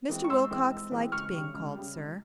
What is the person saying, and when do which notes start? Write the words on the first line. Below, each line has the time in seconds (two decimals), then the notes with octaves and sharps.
Mr. Wilcox liked being called sir.
0.09 E3 G#3 C4
0.24 C#6
0.30 G#2 C6 E6
0.51 E3 G#3 C4
0.71 G#2
0.92 E3 G#3 C4
1.12 C#2 C#6 F6
1.33 C#3 G3
1.54 C#2
1.75 C#3 G3
1.95 C#2